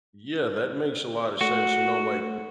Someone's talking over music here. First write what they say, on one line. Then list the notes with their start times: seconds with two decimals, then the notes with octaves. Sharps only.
Yeah, that makes a lot of sense. You know, like,
1.41 A3 F#4